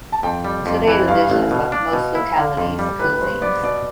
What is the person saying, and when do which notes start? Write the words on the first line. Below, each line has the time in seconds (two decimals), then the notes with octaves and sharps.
Today the dish has left most localities' cuisines.
0.12 A5
0.23 F2 G5
0.44 G3
0.66 F2
0.87 E3
1.08 G2 F5
1.30 A1
1.51 B2
1.72 D4
1.93 B2
2.15 E4
2.36 D3 F5
2.57 F2
2.79 G3
2.99 A2 B4
3.13 B4
3.21 G2 C5
3.42 B3 D5
3.64 B2 D5